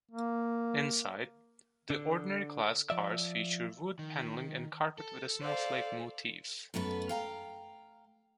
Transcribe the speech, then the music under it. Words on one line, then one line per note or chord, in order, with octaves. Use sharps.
Inside, the ordinary-class cars feature wood paneling and carpet with a snowflake motif.
A#3
D3
F3 D5 E5
D#3
A4
C5 D5 F5
F#2 A3 B3 B4
F5 G5 A#5